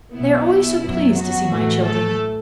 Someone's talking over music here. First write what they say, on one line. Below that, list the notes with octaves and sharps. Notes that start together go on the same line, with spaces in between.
They are always so pleased to see my children.
B1 B2 F#3 B3 E4
E4
F#2 F#3 B3 E4
F#3 F#4
A2 E3 A3
A3 A4